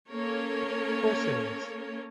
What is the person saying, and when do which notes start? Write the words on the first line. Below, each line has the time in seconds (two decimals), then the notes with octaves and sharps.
Of course it is!
0.11 A#3 C#4 A4 A#4 C#5